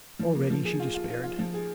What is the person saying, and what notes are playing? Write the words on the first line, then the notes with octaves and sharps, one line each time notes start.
Already she despaired.
F3
A#3
F3
G#4
F4
F4
F4
F4
F3
G#4